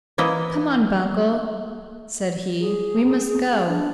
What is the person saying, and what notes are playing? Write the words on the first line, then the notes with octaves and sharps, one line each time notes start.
"Come on, Bungle," said he; "we must go."
E3 A#3 E4 C#5 D#5
G#4
D4